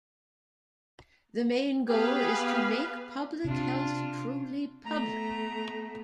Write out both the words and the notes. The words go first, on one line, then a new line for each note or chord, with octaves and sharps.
The main goal is to make public health truly public.
B3 G4 G#4 B4 F5
C3 D4 F4
A3 B3 A#5